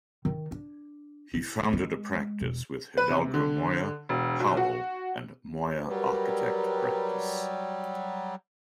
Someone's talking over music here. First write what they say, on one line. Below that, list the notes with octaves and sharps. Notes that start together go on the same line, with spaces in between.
He founded a practice with Hidalgo Moya, Powell and Moya Architect Practice.
D#3
D4
E4
G#3
E1
B4
C3
D3
E1
B1
F#4
F#3 G3 G4 A#4 B4